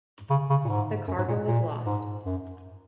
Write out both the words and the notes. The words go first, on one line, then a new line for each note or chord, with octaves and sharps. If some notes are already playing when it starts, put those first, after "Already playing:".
The cargo was lost.
C#3
C#3
A#2
G#2
F#2
G#2
A#2
A#2
G#2
F#2